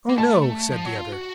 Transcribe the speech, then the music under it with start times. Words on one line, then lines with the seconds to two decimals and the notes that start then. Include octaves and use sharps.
"Oh no," said the other.
0.09 A#3
0.17 A3 A5
0.72 F3
0.86 F#3
0.99 F4
1.12 F#4